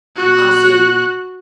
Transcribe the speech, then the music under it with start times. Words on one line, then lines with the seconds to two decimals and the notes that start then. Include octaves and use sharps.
On food.
0.16 F#4 F#6